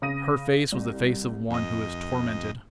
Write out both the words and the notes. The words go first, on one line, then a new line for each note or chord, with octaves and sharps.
Her face was the face of one who is tormented.
C#3 D#6 A#6 D#7
C2
F2 D#5